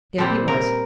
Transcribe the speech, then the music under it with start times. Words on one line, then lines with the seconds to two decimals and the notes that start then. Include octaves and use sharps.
There he was!
0.18 A#2 G3 C4 A4
0.48 A#4